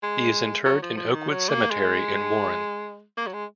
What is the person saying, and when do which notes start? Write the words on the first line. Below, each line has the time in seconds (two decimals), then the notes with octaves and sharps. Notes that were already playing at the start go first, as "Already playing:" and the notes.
He is interred in Oakwood Cemetery in Warren.
0.03 G#3
0.66 F#3
0.82 F3
0.97 F3
1.13 D#3
1.29 F#3
1.49 A#3
1.71 G#3
3.17 A#3
3.27 F#3
3.33 G#3